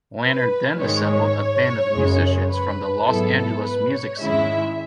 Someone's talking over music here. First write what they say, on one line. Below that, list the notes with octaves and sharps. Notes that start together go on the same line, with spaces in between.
Laner then assembled a band of musicians from the Los Angeles music scene.
B4
G#2 D#3 G#3 C#5
F#2 C#3 G#3
B4
G#2 F#3 B3 E4 A4
B4
C#5
G#2 D#3 G#3 C#4 E4 E5